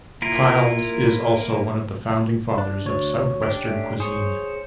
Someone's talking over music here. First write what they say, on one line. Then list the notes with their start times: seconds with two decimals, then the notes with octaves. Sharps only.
Pyles is also one of the founding fathers of Southwestern cuisine.
0.22 A#3 E4 F4 A#4
2.58 D4
2.85 D2 C#5
3.42 C#4 D4 G4
3.67 A3
4.00 G#4 C5 C#5